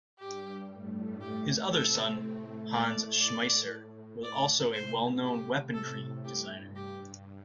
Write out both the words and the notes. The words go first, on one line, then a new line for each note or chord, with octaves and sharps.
His other son, Hans Schmeisser, was also a well-known weaponry designer.
G2 G3 G4
A2 A3
A2 A3 G4
C3 C4 A4
A2 A3
A2 D5
D5
A2
D5
C3 C5
G4
A2 A4
G2 G4
G4